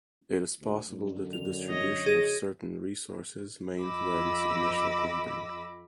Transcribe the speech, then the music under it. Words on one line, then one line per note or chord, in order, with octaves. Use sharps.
It is possible that the distribution of certain resources may influence initial clumping.
D2
F#2 D3
F7
C#5 D#5
G#4 A#6
F2 D#5 B5 D6 E6